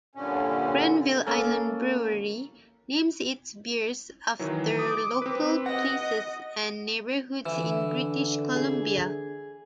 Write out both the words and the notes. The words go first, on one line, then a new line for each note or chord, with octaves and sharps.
Granville Island Brewery names its beers after local places and neighbourhoods in British Columbia.
G2 A#2 D3 C#4
A#3 C#4 A4 A#4
D#3 E3 F#3
D6 D#6
C4 B4
D#5 F#5 A#6
D3 E3
G#4